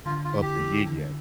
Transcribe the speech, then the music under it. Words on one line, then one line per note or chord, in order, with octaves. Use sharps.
up the ying-yang.
D3 F4
F4
E4
G4
A3
D3